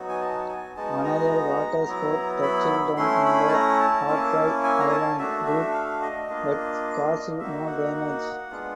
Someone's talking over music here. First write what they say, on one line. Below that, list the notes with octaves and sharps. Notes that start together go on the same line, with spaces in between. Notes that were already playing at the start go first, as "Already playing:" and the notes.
Another waterspout touched down in the Ha’apai island group but caused no damage.
Already playing: F#3 B3 D#4 F#4
G#5
A5
G#5
G#3 B3 D#4 F#4 A5
A#5
F#3 B3 E4
B5
A3 C#4 E4 C6
B5
A5
A#5
A5
A#3 C#4 E4
G#5
A#5
A5
A3 D4 F#4 E5
E5
F5
D#5
A#3 D4 F4
A#3 D#4 F#4 E5
F#5
G#3 B3 D4 F4